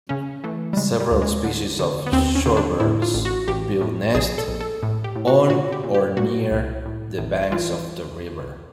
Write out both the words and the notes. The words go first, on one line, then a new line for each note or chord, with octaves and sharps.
Several species of shorebirds build nest on or near the banks of the river.
C#3 C#4
E3 A3
G3
C#3 G#3
G3
D2
G#3
D3
D3
B3
D#2 C4
C#4
D3
D4
A2 E4
F4
A1
F#4
A1 G4
A2
A#1 G#4
A4
A#1
A4
A2
G4
A2
F#4
A#2 F#4
G4
A#2
G4
A#2 F#4
C2
A2
A1
E3 F4